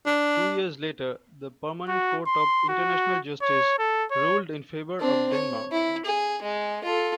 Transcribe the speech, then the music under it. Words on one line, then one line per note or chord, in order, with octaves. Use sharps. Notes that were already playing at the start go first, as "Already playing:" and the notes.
Two years later, the Permanent Court of International Justice ruled in favor of Denmark.
D4
F#4
C6
F#4
C#5
A4
C#5
C4 D4
C#5
E4
G#4
G#3
F4 A4